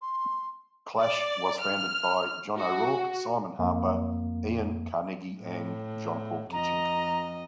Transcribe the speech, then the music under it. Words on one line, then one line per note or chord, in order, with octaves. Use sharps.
"Clash" was founded by John O'Rourke, Simon Harper, Iain Carnegie and Jon-Paul Kitching.
C6
D5
F6
F#4
F2 A#3
A2
F2 D#5 A#5